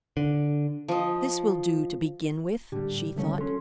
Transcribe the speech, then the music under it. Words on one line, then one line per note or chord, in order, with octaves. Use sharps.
"This will do to begin with," she thought.
D3
F3 D#5
A2 D3 G3 G4
C2 D3 G3 A3 C#4 C#5
F#3 C#4 A4 C6